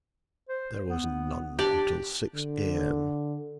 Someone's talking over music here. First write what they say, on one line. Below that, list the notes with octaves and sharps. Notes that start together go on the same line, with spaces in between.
There was none until six A.M.
C5
B3
D4 G4 D5
D3